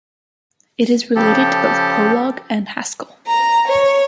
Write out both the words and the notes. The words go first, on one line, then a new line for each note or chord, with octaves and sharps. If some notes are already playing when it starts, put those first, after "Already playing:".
It is related to both Prolog and Haskell.
C#3 F3 G4 A4
A#5
C#5